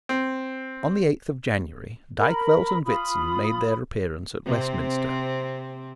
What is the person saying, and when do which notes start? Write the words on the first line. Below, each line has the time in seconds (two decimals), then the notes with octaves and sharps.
On the eighth of January Dykvelt and Witsen made their appearance at Westminster.
0.09 C4
2.18 A#4 B5
2.84 F4 B5 D#6
4.45 C3 C4